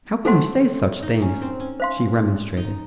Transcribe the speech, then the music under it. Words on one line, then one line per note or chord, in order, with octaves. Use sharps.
"How can you say such things!" she remonstrated.
A3 A4 C5 F#5 C6
D#4
C#4
C4
C#4
C5 F5 C6
D#4